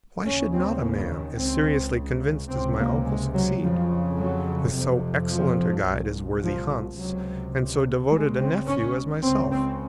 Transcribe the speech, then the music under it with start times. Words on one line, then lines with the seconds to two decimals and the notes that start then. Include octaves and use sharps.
Why should not a man as seriously convinced as my uncle, succeed, with so excellent a guide as worthy Hans, and so devoted a nephew as myself?
0.24 D#2 C#3 C#4
0.53 C4
0.80 A#3
1.09 D#3
1.37 C#2 C#3 C4
2.49 C3 C4
2.54 C#2
2.78 A#3
3.06 G#3
3.34 F#3
3.61 F2 C#3 F3
4.18 F#3
4.73 F2 C3
5.30 F3
5.86 C2
5.91 A#2
6.42 F3
6.98 C#2 C3 F#3
8.10 C#2 C#3 G#3
8.39 C4
8.67 C#4
9.22 C#2 C#3 C4
9.51 C4